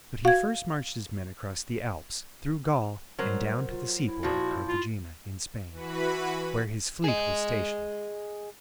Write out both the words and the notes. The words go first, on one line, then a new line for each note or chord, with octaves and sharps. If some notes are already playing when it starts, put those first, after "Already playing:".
But he first marched his men across the Alps, through Gaul, and down to the seaport of Carthagena in Spain, where his fleet was stationed.
F#4 F5 G#6
F#3 G3 A#4 C5
F4
E4
A#2 F3 F#4
F4
E3 F#4 B4 B5
G#4 D#5